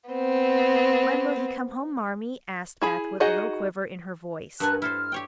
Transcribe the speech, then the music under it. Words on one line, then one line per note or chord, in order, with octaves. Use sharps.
"When will he come home, Marmee?" asked Beth, with a little quiver in her voice.
B3 C4
E4 G#4 B5
D#4 F#4 G#4 D#5 F#5
G2 A#4 F#5 G#5 A5 F#6
E4 A4 C5 F6
G4 C#5 G5